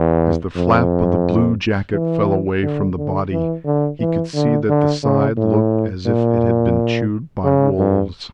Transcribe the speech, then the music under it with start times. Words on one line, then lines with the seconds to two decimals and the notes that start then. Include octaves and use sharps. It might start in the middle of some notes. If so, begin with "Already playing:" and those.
As the flap of the blue jacket fell away from the body, he could see that the side looked as if it had been chewed by wolves.
Already playing: E2
0.56 F2
1.93 E3
2.63 D3
2.97 D3
3.31 E3
3.65 D3
4.00 E3
4.34 D3
4.69 D3
5.03 C#3
5.37 A2
6.06 A#2
7.44 C#3
7.78 G2